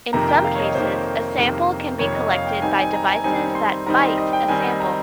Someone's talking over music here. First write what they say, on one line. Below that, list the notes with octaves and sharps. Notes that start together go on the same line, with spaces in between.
In some cases, a sample can be collected by devices that "bite" a sample.
F2 C3 D#3 A#3 A#5
G5
F5
C#5
D#5
F2 C3 D#3 A#3 C5
F2 C3 D#3 A#3
F2 C3 D#3 A#3 C#5
D#5
F5
G5
D#3 G3 C4 D#4 G#5
G#5
A#5
G#5
D#3 G3 C4 D#4 G#5
C6
D#3 G3 C4 D#4 A#5
C6
D#5
G5
D#3 G3 C4 D#4 G#5
A#5